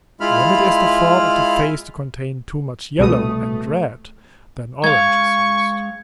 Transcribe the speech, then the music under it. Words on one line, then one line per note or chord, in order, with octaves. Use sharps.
When it is the fault of a face to contain too much yellow and red, then orange is used.
G#3 E4 F4 B5 F6
C2 B2 A3 D#6
G#3 F5 C#6 G#6